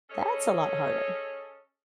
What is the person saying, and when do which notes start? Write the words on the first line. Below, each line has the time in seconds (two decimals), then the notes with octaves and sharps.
That's a lot harder.
0.10 C#4 G#4 A4 C#5 D#5